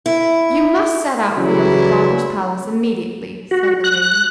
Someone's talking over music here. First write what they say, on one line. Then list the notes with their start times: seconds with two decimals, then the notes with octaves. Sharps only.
"You must set out for your father's palace immediately," said the lady.
0.06 E4
1.37 C#3 E3 F#3 G3 E4
3.51 F#4
3.84 F#6